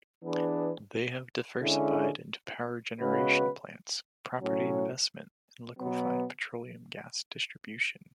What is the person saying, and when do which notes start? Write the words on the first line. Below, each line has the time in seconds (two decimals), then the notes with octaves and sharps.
They have diversified into power generation plants, property investment, and liquefied petroleum gas distribution.
0.23 E3 B3 D4 G#4 B4
1.61 D3 G#3 C#4 E4 G#4
2.99 C#3 G#3 B3 F#4 B4
4.39 A2 F#3 C#4
5.77 B2 F#3 B3